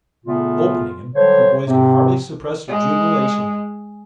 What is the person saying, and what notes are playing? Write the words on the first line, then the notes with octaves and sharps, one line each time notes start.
Opening them, the boys could hardly suppress their jubilation.
A#2 C#3 A3 B3 F4
D3 F#3 G3 C5 C#5
G#2 C3 C4
G#3